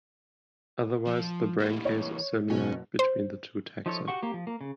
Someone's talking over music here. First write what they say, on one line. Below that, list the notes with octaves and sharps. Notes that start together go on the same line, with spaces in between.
Otherwise the braincase is similar between the two taxa.
F3
E3 A#3
C#5
F#1 B2 C#4
C5
F3 D#4 E4 A4 C#5
F#4 G4 F#5 C#6
A#3 G4
F3
A#3
C#3